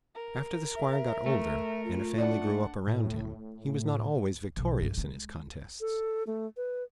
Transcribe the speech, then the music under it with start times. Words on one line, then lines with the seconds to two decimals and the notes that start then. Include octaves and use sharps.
After the squire got older, and a family grew up around him, he was not always victorious in his contests.
0.15 A#4
0.76 E5
1.26 A3
1.85 F4
2.18 D4 D5 F#5
2.87 A2
4.57 B1
4.82 G2
4.98 G#3
5.80 A4
6.27 A3
6.57 B4